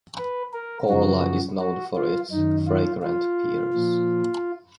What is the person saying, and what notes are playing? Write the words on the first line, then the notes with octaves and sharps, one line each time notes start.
Korla is known for its "fragrant" pears.
B4
A#4
F#2 C#3 F3 F#4
F#4
F4
F#2 D#3 D#4
F4
F4
A#2 F3